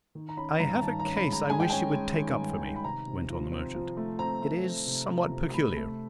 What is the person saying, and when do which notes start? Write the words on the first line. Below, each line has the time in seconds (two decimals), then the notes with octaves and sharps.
"I have a case I wish you would take up for me," went on the merchant. "It is somewhat peculiar."
0.15 D#3
0.29 A#5
0.37 C#4 B5
0.60 G2 A#5
0.74 A#5
0.82 D#3 A5
0.99 C#4 A#5
1.16 B5
1.27 G#3
1.32 A#5
1.50 G#3 G#5
1.60 G5
1.70 C#4 G#5
1.95 G#3
2.17 D#3
2.40 G2
2.62 D#3
2.76 B5
2.84 C3 A#5
3.07 C3
3.30 F3
3.52 C4
3.74 F3
3.97 A3
4.19 C4 A#5
4.42 A3
4.64 C4
4.87 C3
5.09 F3
5.32 C3
5.54 A3 B5
5.76 A3